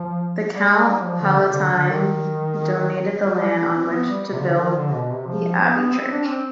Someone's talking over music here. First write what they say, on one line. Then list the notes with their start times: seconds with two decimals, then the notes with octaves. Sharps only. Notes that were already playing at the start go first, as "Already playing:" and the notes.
The count Palatine donated the land on which to build the abbey church.
Already playing: F3
0.53 G3
0.70 G#3
0.87 G3
1.04 F3
1.21 D3
1.37 C3
1.55 D3
1.72 D3
1.89 D#3
3.24 G3
3.40 G3
3.74 C4
3.92 B3
4.09 G3
4.32 C3
4.42 D3
4.59 D#3
4.76 D3
4.93 B2
5.10 C3
5.27 F3
5.60 B3
5.84 B3
5.95 C4
6.12 D4
6.28 C4